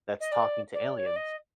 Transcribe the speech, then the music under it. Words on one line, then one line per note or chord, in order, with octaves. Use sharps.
that’s talking to aliens.
D#5
D5
D5
C#5
D5
D#5